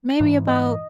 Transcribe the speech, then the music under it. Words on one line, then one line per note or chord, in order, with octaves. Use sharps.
maybe about
G#2 E3
D#5